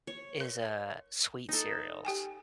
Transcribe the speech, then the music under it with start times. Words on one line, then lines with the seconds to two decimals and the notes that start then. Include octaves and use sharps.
is, uh, sweet cereals.
0.07 C#5
0.41 A#4
1.49 D#4 A4
2.05 G4 G5 G#5